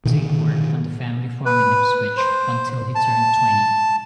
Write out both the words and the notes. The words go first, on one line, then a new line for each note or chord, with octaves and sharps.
Dane worked on the family farm in Ipswich until he turned twenty.
B2 D3 D#3
B4
C5
A5